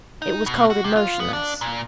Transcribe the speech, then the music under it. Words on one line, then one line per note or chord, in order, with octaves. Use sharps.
It was cold and motionless.
D#4
B2
F#4
C3
F4
B3
D4
A#2